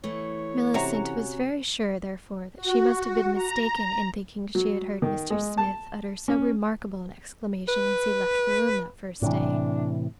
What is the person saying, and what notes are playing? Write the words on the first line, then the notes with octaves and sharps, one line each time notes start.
Mellicent was very sure, therefore, that she must have been mistaken in thinking she had heard Mr. Smith utter so remarkable an exclamation as he left the room that first day.
E3 A3 C#5
C3 C#4 F#4 A#5
F#4
A#5
F#3
D#3
G#3
A5
C#4
B4
A2 C3 E3 D4